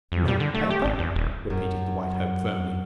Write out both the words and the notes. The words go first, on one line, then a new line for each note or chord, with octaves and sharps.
"No paper," repeated the White Hope firmly.
F2
G3
D3
A3
G4
G#1
E2
D#1
F#2